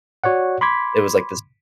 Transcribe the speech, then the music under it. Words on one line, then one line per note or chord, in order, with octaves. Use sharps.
It was like this
F#4 C#5 D5 F#5
B5 C6 D6 G#6 B6